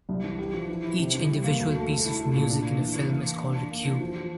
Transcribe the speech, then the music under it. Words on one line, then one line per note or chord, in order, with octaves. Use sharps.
Each individual piece of music in a film is called a "cue".
C2
E3
G4
F3
E3
E4
C3
E3
G3
A#3
D2
A3
A3
E4
A3
A#2
D4
A#3
E3
E3
A#3
A#3
D4
D4
A#3
E3
F3
F3